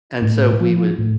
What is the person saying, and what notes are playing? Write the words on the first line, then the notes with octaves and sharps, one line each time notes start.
And so we would
A2
F3
A2